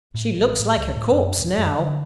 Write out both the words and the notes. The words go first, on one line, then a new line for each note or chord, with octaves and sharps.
She looks like a corpse now.'
A2
A1
A2
C#2
A2
F#2
D#1
F#2
D3